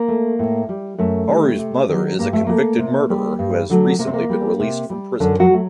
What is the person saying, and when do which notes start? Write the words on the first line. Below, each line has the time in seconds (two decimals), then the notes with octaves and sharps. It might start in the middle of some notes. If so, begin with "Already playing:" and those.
Haru's mother is a convicted murderer who has recently been released from prison.
Already playing: A#3
0.08 A3
0.39 A2
0.69 G3
0.98 F#2 A3
1.29 D#3 G3
1.58 C3
1.89 D#3 F#3
2.19 G2 A#3
2.33 A3
2.46 F#3 A3 A#3
2.79 C3
3.10 G3
3.39 G2
3.69 D3 F#3 A3
3.99 C3 A#3
4.07 C4
4.14 A#3
4.29 G3
4.59 C3
4.90 G3
5.20 F#2 D3 D4
5.39 F#3 F#4
5.50 F#3 A3